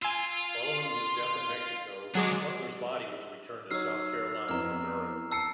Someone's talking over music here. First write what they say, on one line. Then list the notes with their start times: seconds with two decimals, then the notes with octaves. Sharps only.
Following his death in Mexico, Butler's body was returned to South Carolina for burial.
0.02 F4 G#5 E6
2.15 D#3 F#3 G#3 D4 D6
3.71 F#3 D#4 C#5 E6 F6 C7
4.49 F2 E3 B3 A#5 F6
5.32 A5 E6 C7 C#7